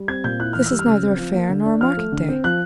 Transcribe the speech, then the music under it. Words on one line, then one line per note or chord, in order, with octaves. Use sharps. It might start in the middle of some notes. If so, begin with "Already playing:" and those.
This is neither a fair nor a market day.
Already playing: G3
C4 G#6
A#2 G6
E4 F#6
E3 F6
E6
G3
F6
C#3
C4
F3
A#3
D3
D4
F3 F6
A3
D3
C4
F3 F#6